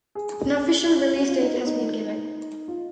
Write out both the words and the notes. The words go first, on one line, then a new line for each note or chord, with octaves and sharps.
No official release date has been given.
G#4
F#4
F4
D#4
B3
D#4
F4